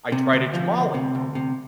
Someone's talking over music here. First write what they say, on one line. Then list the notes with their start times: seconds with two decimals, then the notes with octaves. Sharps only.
I tried a tamale,
0.12 C3
0.33 D2
0.53 F3
0.74 D2
0.94 C3
1.15 D2
1.35 C3